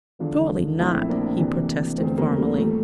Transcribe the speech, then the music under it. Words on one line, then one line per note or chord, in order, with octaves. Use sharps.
'Surely not!' he protested formally.
E1 E2 D3 F3 D4 F4
A#1 A2 F3 C4 E4
A#3 D4
D2 C3 E3
E2 D3 F3 A3 C4
G3 A#3
G3
A2 F3 A3